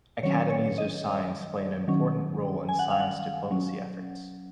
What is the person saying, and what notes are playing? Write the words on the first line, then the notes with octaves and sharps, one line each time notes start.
Academies of science play an important role in science diplomacy efforts.
D#3 F#3 C#4 C#5
C#5
D#5
D#3 F#3 C#4
G#5
F#5
F5
F#5
F#3 C#4